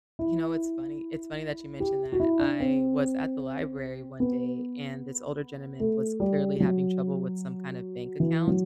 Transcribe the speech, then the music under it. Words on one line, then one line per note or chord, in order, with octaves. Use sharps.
You know, it's funny it's funny that you mentioned that. I was at the library one day and this older gentleman was clearly having trouble with some kinda bank account
E4
G4
F#4
E4
D4
C4
B3
A3
G3
G3
F#3
E3
F#3